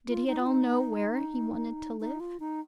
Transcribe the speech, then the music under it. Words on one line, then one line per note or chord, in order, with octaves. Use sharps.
Did he at all know where he wanted to live?
F4
D#4
F4
D#4
D#4
F4
D#4